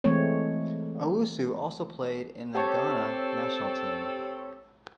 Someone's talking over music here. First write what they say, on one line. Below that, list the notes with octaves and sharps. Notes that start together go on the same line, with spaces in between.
Owusu also played in the Ghana national team.
E3 G#3 A3 C4 C#5
C4 G4 A4 C#5 F#5 A5 G#6